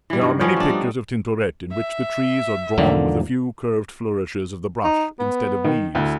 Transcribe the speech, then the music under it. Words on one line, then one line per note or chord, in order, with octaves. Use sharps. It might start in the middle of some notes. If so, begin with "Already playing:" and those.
There are many pictures of Tintoret in which the trees are drawn with a few curved flourishes of the brush instead of leaves.
E3 G3
G2 D#3 F#3
F3 G3 B3 C#4
A3 D4
G3 D#4
E5
E2 G#2 D3 F3 A#3
D#4
B3
D#3
D2 E4